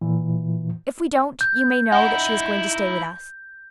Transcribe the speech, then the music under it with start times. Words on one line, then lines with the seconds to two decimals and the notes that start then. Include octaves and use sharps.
If we don't you may know that she is going to stay with us.
0.02 A#2 E3
1.41 G6
1.92 D#4 E4 F#5